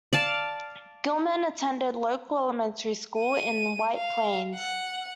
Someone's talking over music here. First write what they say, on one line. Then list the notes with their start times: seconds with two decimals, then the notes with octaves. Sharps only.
Gilman attended local elementary school in White Plains.
0.13 D5 F5 A5
3.20 D#7
3.96 F5
4.56 F#5